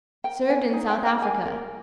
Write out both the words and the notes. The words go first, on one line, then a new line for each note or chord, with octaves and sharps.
Served in South Africa.
A#4 G5
A#4 G#5
D#4 G#5
G5
D#4
G5
A#4 G#5
A#4